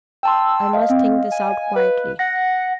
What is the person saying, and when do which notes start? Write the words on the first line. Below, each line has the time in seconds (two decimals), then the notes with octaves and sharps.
I must think this out quietly.'
0.23 G5 A5 C6 E6
0.73 D#5 F5
0.90 C4
1.31 G#5
1.76 B4
2.19 F#5 A#6